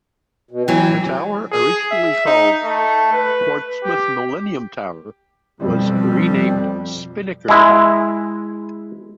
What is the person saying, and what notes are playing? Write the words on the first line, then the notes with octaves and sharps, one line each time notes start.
The tower, originally called Portsmouth Millennium Tower, was renamed Spinnaker Tower.
B2
E3 F#3 G5 G#5
G#4
E5
D#4
A3
B4
G4
F2 B2 G3 C4
G#3 E4